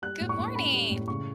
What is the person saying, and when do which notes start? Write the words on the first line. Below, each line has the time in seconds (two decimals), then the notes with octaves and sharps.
Good morning.
0.02 G3 F#6
0.20 A2
0.29 C#6
0.38 A2
0.55 C#4 B5
0.73 G3
0.90 A2
1.08 C#3 C#6